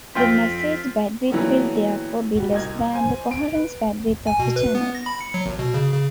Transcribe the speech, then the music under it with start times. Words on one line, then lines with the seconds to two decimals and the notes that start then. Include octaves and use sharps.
The message bandwidth will therefore be less than the coherence bandwidth of the channel.
0.15 F2 C4 F4 G5 B6
1.31 A#2 E3 F#3 G3 A3 B3
2.36 G3 F#4
2.52 C2 D#5 G#6
2.93 C5 G#5
3.31 D7
3.54 B4
4.27 G#5
4.39 B2
4.56 B4
4.75 B3
4.95 A#6
5.06 B5
5.21 C#7
5.34 F#3
5.46 G#1
5.59 B2
5.74 C#3
5.93 C#3